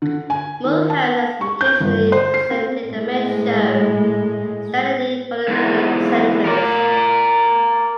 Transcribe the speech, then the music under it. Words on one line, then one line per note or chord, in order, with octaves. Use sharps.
Mulhern has occasionally presented the main show, standing in for the regular presenters.
D3
G#5
D#3
A5
C#6
G6
G1
C5
C7
C4
A2 G#3
E2 G#2
A#4 D5